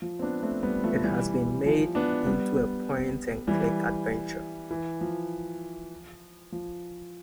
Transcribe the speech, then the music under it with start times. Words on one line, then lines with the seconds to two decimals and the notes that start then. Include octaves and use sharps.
It has been made into a point-and-click adventure.
0.02 F3
0.19 C4
0.22 B3 D4
0.43 A3 C4
0.63 G3 B3
0.84 F3 A3
1.04 E3 G3
1.66 F3
1.95 B3 D4
2.26 G3 B3
3.47 E3 G3
4.71 E3
5.01 F3
6.52 F3